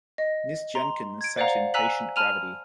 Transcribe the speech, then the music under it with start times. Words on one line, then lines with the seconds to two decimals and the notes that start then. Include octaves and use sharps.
Miss Jenkyns sat in patient gravity.
0.18 D#5
0.75 A#5 C6
1.21 G#6 D7
1.37 C5 D5 F5 F#5 A#5
1.74 G#5 A#5 E6 F#6 B6 F#7
2.16 A5 B5 F6 D#7 F7